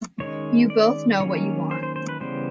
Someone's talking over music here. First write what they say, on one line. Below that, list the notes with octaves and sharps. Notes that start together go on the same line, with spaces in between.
You both know what you want.
D#3 G#3 C#4 C#5
D5
D#3 F#3 A#3 C#4 C#5
C5
C5
C5
B4
C#3 E3 G3 B3 C5